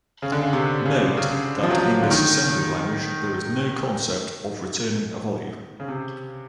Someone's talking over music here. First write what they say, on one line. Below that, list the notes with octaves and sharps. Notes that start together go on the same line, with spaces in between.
Note that in this assembly language, there is no concept of returning a value.
C#3
D3
C#3
C3
C#3
C#3
F3
F#3
F3
D3
D#3
C#3
C3